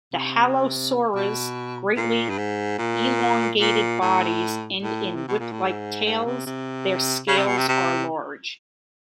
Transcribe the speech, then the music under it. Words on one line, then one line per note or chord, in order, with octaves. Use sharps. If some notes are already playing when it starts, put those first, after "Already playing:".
The halosaurs' greatly elongated bodies end in whip-like tails; their scales are large.
C3
B2
A#2
G2
G#2
A#2
A#2
A2
A2
C3
B2
A#2
A2
G#2
G#2
C3
C3
C#3
C3
B2
C3
C3